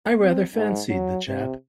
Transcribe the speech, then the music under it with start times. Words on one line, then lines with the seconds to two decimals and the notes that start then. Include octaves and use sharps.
I rather fancied the chap.
0.22 C4
0.55 G#2
0.89 F#3
1.28 C3